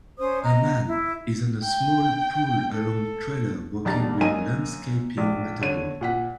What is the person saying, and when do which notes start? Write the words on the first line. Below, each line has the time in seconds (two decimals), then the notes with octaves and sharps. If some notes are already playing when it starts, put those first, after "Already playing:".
A man is on a small pull along trailer working with landscaping material.
0.19 C#4 C5 D#6
0.43 D#5 A#5
0.86 E4
1.64 G5
2.74 A4
3.85 E1 B1 D4 G4 A#5 A6
4.21 F#2 A#3 D#5 G#5 A#5 D#7
5.17 A#1
5.61 D3 C#5 D#7
6.01 A#2 F#5 B6